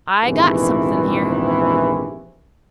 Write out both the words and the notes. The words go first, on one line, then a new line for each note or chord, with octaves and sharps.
I got something here.
A#1 E2 G#2 C3 D#3 E3